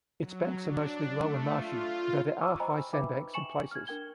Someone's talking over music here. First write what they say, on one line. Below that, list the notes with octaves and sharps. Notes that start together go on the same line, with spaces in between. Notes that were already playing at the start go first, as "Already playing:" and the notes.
Its banks are mostly low and marshy, though there are high sandbanks in places.
F#3
D4
A3
F4
C#6 D6 E6 F6
C5 D#5 G5 G#5 A#5 B5
D#4 B4 E5 G5 B5 D6
G5 G#5 C#6 C#7 E7 F#7
F6 G#6
D4 A#4 G5 G#6 G7